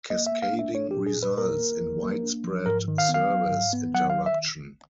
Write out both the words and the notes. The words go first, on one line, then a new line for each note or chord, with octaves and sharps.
Cascading results in widespread service interruption.
A#3 D#5
E5
A#3
F5
D4
E5
D4 C#5
G4
A#2
G#4
A#2
B4
A#3 A#4
A#3
F3
A#3
D4
F3
G#2 A#4
D#3
F5
B3
F5
F#3
G#2
B3
F#3 F#5
F5
D#3
E5